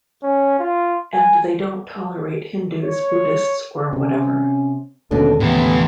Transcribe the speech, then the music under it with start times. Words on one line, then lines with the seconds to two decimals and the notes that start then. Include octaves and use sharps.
And they don't tolerate Hindus, Buddhists or whatever.
0.23 C#4
0.59 F4
1.13 G#5
2.83 C#5
3.93 C3 C#4
5.11 D#2 B2 D3 G#3 C#4 D4 A4
5.40 A2 C3 E3 B3